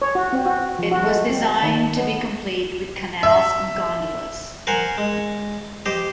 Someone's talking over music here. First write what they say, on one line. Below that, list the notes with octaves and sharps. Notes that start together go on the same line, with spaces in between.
It was designed to be complete with canals and gondolas.
C#5
F#4
C4
F#4
F3
F#4
G#3
C4
D#3
B3
E5
A#4 C5 F#5 G#5
G#3
G4 C5 D#5